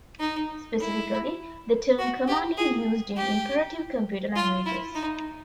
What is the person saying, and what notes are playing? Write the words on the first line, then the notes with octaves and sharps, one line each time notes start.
Specifically, the term "command" is used in imperative computer languages.
D#4
E4
F#4
G4
G#4
G4
F4
E4
D#4